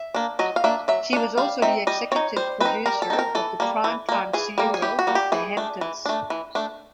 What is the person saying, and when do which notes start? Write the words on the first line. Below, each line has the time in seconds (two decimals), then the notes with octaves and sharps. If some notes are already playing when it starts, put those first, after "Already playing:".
She was also the executive producer of the primetime serial "The Hamptons".
Already playing: E5
0.14 A#3 D4
0.39 F#3 D#5
0.56 F5
0.64 A#3 D4 E5
0.88 F#3 E5
1.13 A#3 D4
1.37 G3 F5
1.62 C4 D#4 E5
1.87 G3 D#5
2.12 C4 D#4 C#5
2.37 G3 C5
2.60 C4 D#4 B4
2.86 G3 A#4
3.02 A4
3.10 C4 D#4
3.19 A#4
3.35 E3 A4
3.60 G3 A#3
3.84 E3
4.09 G3 A#3
4.33 E3 G#4
4.58 G3 A#3
4.74 G#4
4.82 E3 G4
4.99 F#4
5.07 G3 A#3
5.15 G4
5.32 E3 G#4
5.57 A3 D4
5.81 E3
6.06 A3 D4
6.30 E3
6.55 A3 D4